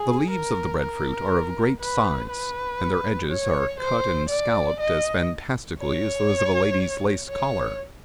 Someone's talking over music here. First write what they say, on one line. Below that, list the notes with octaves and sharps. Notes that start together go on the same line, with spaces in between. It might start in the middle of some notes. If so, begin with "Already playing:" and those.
The leaves of the bread-fruit are of great size, and their edges are cut and scolloped as fantastically as those of a lady's lace collar.
Already playing: G#4
A#4
A#4
B4
B4
C#5
C5
D5
D#5
C#5
C#5